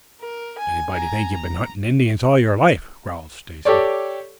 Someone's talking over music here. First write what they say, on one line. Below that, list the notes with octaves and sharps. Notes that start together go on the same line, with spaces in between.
"Anybody'd think you'd been hunting Indians all your life," growled Stacy.
A#4
G#5
G#5 A#5
A#5
G4 A4 C#5 D5